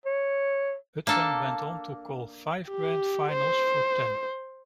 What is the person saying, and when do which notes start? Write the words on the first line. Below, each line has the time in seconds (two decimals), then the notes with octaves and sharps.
Hudson went on to call five grand finals for Ten.
0.06 C#5
1.07 A#3 D4 A4
2.69 G4
3.33 C5